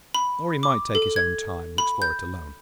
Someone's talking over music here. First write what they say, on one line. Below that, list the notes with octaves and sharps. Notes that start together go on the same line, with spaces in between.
Or he might take his own time, and explore it alone.
B5
D6
A4
G#6
B5
G6